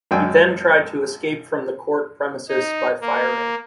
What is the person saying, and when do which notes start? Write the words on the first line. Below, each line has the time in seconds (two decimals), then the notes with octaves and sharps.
He then tried to escape from the court premises by firing.
0.11 G#1 F#2 G5 G#5
2.49 D#4
3.01 A#3